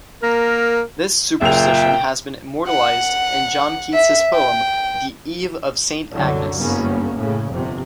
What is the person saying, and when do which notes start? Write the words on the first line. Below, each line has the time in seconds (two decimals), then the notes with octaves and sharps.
This superstition has been immortalised in John Keats's poem, The Eve of Saint Agnes.
0.23 A#3 A#4
1.41 F#1 A#2 E5 G5 F7
2.69 F#5
3.93 E5
4.35 G5
6.12 C2 F#2 D3 F#3
6.58 F#1 G2 C#3 A#3 B3 C#4
7.15 A2 C#3
7.48 G1 F2 C3